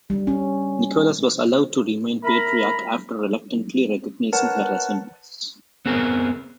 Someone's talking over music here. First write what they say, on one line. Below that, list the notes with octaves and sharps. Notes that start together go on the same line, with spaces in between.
Nicholas was allowed to remain patriarch after reluctantly recognizing her as empress.
G3
C#4
A#4 E5 A#5 B5
A#4 B4 C#5 F#5 A5
B3 C4 G#4 A#4